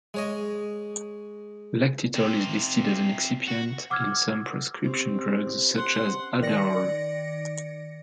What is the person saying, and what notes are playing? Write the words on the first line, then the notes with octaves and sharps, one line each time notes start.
Lactitol is listed as an excipient in some prescription drugs, such as Adderall.
G#3 C#5 D#5
C3 F4
F#4
F#5 D6 E6 F6 G#6
C4 C#4 G4 C5
F#5 C6
D#3 D5 A#6 C#7